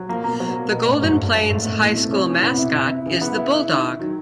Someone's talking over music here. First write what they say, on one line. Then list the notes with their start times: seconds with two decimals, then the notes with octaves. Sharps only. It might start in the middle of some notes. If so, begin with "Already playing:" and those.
The Golden Plains High School mascot is the Bulldog.
Already playing: F#3
0.09 F3 A#3
0.24 B2 A#3
0.40 F#3
0.56 A#3
0.72 B2
0.87 A2 C#4
1.02 G#2 F#3
1.18 G2 A3
1.34 G2 C#4
1.50 G#2 A3
1.65 A2 A3
1.81 A#2 E3
1.91 B2
1.97 C3 A3
2.12 C#4
2.28 E3
2.43 C3 B3
2.54 C3
2.59 E4
2.64 B2
2.74 C3 E4
2.91 E4
3.06 C#3 E3
3.21 B3
3.38 E4
3.52 E4
3.68 D#3
3.84 D#3
3.99 D#3 F#3